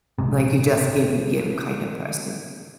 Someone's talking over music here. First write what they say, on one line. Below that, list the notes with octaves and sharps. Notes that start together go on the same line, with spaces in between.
Like, you just give and give kinda person.
A#1 G#2 C3